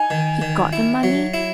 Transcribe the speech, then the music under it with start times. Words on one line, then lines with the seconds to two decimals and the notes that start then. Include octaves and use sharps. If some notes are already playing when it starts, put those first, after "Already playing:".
He got the money.
Already playing: D#4 G#5
0.10 D#3
0.42 D#3
0.73 E4
1.03 F#3
1.34 E4